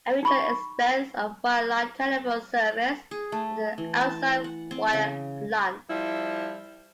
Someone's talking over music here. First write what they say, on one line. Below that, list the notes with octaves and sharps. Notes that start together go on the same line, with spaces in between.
A major expense of wire-line telephone service is the outside wire plant.
D#4 B5 C#6
G#4
A3
E3
A5
F#5
C4
C#3
F3 G3 E4